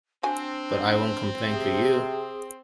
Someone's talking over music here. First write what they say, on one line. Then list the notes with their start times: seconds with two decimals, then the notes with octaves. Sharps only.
But I won’t complain to you!
0.23 C4 D4 F#4 G#5
1.50 C3 G#4